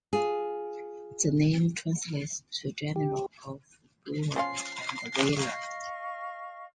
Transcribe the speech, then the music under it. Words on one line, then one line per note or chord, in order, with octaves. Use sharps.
The name translates to "General of Bravery and Valor".
F4 G#4
G4
F3 C#4 F4 C7
D#5 F5 C#6